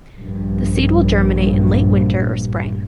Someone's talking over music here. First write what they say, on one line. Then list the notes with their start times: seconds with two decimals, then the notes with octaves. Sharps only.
The seed will germinate in late winter or spring.
0.17 A#1 G2